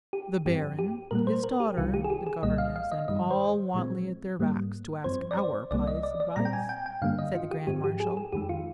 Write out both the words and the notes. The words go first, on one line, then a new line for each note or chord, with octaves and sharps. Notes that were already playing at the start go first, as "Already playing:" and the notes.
"The Baron, his daughter, the Governess, and all Wantley at their backs, to ask our pious advice," said the Grand Marshal.
G4
G2 F3 C4 G4
G4
A#2 G3 A#3 A#4
C5
A#4
G4
C2 C3 D#3 G3 F4
G4
G#4
G4
G#4
C2 A#2 G3 A#3 D#5
F5
F5
D#5
G2 D#3 G3 D#5
C5
A#2 F3 G#3 C4
G#2 G3 A#3
G2 F3 C4 C5
D5
C5
C2 C3 G3 A#3 D5
D#5
D5
D5
A#2 G3 C4 A#5
G5
G#5
G5
G5
G2 D3 G3 A#3 F5
D#5
F4
G4
G#2 F3 C4 G4
G4
G#4
G4
G#4
F2 D#3 G#3 G4
F4